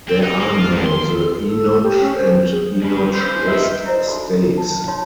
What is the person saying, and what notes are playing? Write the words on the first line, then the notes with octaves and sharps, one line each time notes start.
There are now the Enoch and Enoch West stakes.
C4
D#4
A#3
F4
F2
C6
A4
G4
C#4
C5
G#4
C#4 D4 B4
C5
D#4 E4 A#4 E5
E4 B4 C5 D5 D#5
D4 D#4 F#4 A4 B5 C6
A4
B4 A5
D#4 F4 C#5 A5 B5 C6